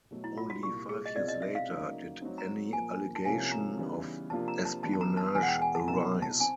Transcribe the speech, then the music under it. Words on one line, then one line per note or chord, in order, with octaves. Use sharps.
Only five years later did any allegation of espionage arise.
B2 F#3 A3
E4
F4
F#4
C2 A#2 G3 G4
G#4
D#5
C2 B2 G#3 C4 F4 D5
D#5
E5
F5
C#3 F#3 A#3 D#4
F#3 A3 C4 D#4
A#5
A#2 F3 A#3 G#5
A5
C2 C3 F3 A#3 C#4 G#5
A#5
C#3 E3 G3 B3 D#4
C3 F3 A#3 D4 F4 A5
A#5
A5
G2 E3 G3 B3 A5
A5
A#5
A5
E2 B2 G#3 G#5
F#5
G5
G#5
A5
C2 B2 F#3 B3 E4 A#5
A5
C4 G#5